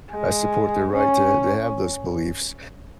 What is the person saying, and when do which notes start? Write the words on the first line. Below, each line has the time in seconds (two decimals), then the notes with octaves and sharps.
I support their right to to have those beliefs
0.11 G#3
0.92 C#4